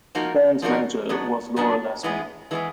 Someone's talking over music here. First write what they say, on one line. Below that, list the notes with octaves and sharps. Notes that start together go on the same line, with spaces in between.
The band's manager was Laura Lassman.
F3 A#3 D#4 F#4 A#4
F3 A#3 D#4 F#4 A#4
B2 F#3 B3 D4
B2 F#3 B3 D4
E3 G#3 B3 E4 G#4
E3 G#3 B3 E4 G#4